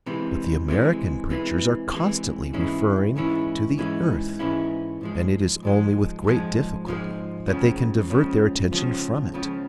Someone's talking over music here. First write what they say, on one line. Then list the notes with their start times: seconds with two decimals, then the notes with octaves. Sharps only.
But the American preachers are constantly referring to the earth; and it is only with great difficulty that they can divert their attention from it.
0.06 C3 E3 G#3
0.68 C3 E3 G#3
1.30 C3 E3 G#3
1.92 C3 E3 G#3
2.53 G#2 E3 G#3 C#4 E4
3.16 G#2 E3 G#3 C#4 E4
3.77 G#2 E3 G#3 C#4 E4
4.39 G#2 E3 G#3 C#4 E4
5.01 G#2 F3 G#3
5.63 G#2 F3 G#3
6.24 G#2 F3 G#3
6.86 G#2 F3 G#3
7.48 C#2 C#3 F3
8.10 C#2 C#3 F3
8.72 C#2 C#3 F3
9.34 C#2 C#3 F3